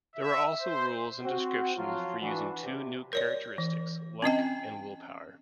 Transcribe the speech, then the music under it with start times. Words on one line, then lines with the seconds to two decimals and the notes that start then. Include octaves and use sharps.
There were also rules and descriptions for using two new Characteristics: Luck and Willpower.
0.15 E5
0.61 C5
1.23 C4 F#4
1.75 F3 F#3 F4
2.21 E3 D4 F#4 B4
2.61 C3 G4
3.13 A#4 C#5 D5
3.58 E3
4.22 C4 C#4 D#5 G5